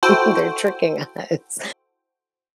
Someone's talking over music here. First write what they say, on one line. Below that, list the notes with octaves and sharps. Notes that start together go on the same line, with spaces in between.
they're tricking us.
E4 F#4 A4 C5 G5